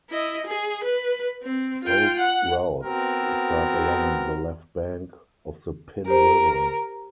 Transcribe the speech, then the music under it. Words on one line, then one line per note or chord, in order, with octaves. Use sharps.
Both routes start along the left bank of the Pin River.
E4 D#5
G#4
B4
C4
F4 G5
F#5
B3 C4 F#4 A#4
G4 A#4 C5